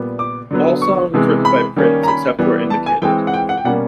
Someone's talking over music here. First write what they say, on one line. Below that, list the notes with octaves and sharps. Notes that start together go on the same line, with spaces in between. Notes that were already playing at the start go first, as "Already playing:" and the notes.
All songs written by Prince, except where indicated.
Already playing: A#2 G3 B3
D6
D3 F#3 B3
C#6
C3 E3 G#3 B3
B5
D#3 G3 A#3 C#4
A#5
B5
E3 G3 B3
A5
G#5
E3 G#3 C4 G5
F#5
G5
F#5
G5
B2 G3 A#3 C#4 F#5